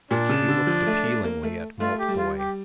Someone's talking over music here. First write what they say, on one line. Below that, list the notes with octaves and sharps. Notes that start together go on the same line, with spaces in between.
He looked appealingly at Maltboy.
A#2 D4
C#3
D3
F3
A3
A3
A#3
A3
A3 F4
G4
G3
F4
G4